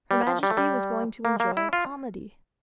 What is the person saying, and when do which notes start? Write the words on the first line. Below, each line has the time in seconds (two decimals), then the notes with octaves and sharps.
Her Majesty was going to enjoy a comedy.
0.11 G3
0.27 F3
0.43 G3
0.50 A3
0.57 G3
1.25 A#3
1.40 A#3
1.57 E4
1.73 F4